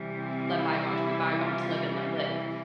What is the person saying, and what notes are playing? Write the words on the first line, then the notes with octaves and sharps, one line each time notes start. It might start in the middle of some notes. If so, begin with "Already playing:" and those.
let bygones be bygones? Live and let live."
Already playing: C3 E3 G3
C4
E4
F4
C#4
E4